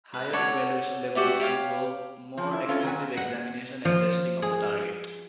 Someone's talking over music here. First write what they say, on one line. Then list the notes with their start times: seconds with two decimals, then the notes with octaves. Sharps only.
Higher evaluation levels involve more extensive examination and testing of the target.
0.14 B4
0.33 A4 C#5 D5 F#5
1.15 F#4 G4 D5 E5
1.40 G4 C#5 F5 G5
2.37 F3
2.53 E4
2.68 C4 C#4 F4 A4 B4
2.83 D#3 F#3 B4 G#5
3.17 F#5
3.85 F3
4.42 G#4